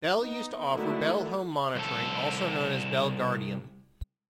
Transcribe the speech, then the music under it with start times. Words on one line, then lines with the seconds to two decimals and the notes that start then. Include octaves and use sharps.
Bell used to offer Bell Home Monitoring, also known as Bell Gardium.
0.16 B3 D#4
0.72 D3 D#3 F#3 G#3 A3 E4
1.76 C2 A4